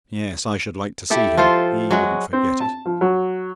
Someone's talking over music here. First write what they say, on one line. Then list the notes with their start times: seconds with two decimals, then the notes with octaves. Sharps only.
Yes, I should like to see him. He wouldn't forget it.
1.10 E4 G4 A4 E5
1.37 F3 F4 A4 C5
1.91 F#3 G#3 F#4
2.33 C4
2.60 A5
2.85 F3
3.01 F#3